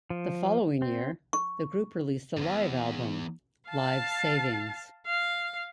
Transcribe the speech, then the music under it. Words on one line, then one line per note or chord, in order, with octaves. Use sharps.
The following year, the group released a live album, "Live Savings".
F3
C4
C#6
E2 G#2
F5 A5
F5